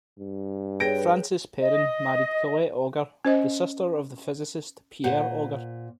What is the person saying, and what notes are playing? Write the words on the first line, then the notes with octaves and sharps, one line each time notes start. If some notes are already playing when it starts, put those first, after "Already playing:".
Francis Perrin married Colette Auger, the sister of the physicist Pierre Auger.
G2
G#4 B4 C#5 G5 A#6 D7
D#5
C#4 C5 D#5
A#2 C5 F#5